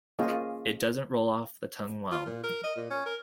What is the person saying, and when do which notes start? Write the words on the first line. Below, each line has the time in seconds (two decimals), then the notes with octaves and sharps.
It doesn't roll off the tongue well.
0.19 A#3 C#4 F4 G#4 D#5
2.11 F4
2.26 A#2
2.43 A#4
2.64 D#5
2.76 A#2
2.90 C#4
3.06 A#4